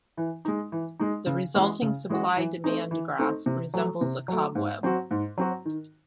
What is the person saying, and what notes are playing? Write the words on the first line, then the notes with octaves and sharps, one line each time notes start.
The resulting supply-demand graph resembles a cobweb.
E3
G#3 D#4
E3
G#3 D#4
C#3
E3 G#3 C#4 F#4
C#3
E3 G#3 C#4 F#4
E3
A3 C4 D#4
E3
A3 C4 D#4
C3
F#3 A3
C3
F#3 A3
G#2
F#3 C4 F#4
G#2
F#3 C4 F#4
D#3